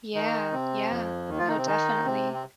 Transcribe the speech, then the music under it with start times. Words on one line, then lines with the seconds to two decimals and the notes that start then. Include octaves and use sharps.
Yeah, yeah, no, definitely.
0.15 D#3 D#4
0.52 C3 C4
0.90 F2 F3
1.28 D#2 D#3
1.38 F3 F4
1.47 D#3 D#4
1.57 C3 C4
1.66 D#3 D#4
2.05 C3 C4
2.33 C4